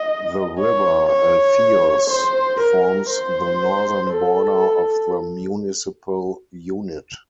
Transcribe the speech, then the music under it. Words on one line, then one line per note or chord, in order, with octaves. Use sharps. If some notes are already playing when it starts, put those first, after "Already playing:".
The river Alfeios forms the northern border of the municipal unit.
Already playing: D#5
C#5
C#5
C5
A#4
C5
A4